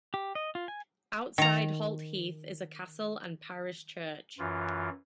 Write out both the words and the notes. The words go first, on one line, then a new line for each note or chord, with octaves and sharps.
Outside Holt Heath is a castle and parish church.
G4
D#5
F4
G#5
D#3 A#5
F#2 E3 F4